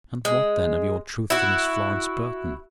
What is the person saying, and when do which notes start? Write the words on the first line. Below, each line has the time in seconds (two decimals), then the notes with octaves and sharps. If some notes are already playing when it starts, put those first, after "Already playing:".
"And, what, then, of your truth to Miss Florence Burton?"
0.25 G#3
1.30 E4 F#4